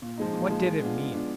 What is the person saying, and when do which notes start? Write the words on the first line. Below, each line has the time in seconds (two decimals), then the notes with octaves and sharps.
What did it mean?
0.02 A#2
0.17 F3 G#3 D#4
0.33 A#2
0.49 F3 G#3 D#4
0.65 G#3
0.81 B3 D4 F4
0.97 G#3
1.12 B3 D4 F4